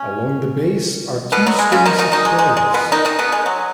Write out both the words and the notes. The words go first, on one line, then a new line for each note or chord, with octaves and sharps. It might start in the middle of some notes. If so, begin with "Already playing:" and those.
Along the base are two strings of pearls.
Already playing: C#4
B2 B3
F#3
G#3
C#3 C#4
D#3 D#4
D#3 D#4
D#3 D#4
G#3
G#3
G#3
B2 B3
D#3 D#4
D#3 D#4
B2 B3
G#3
F#3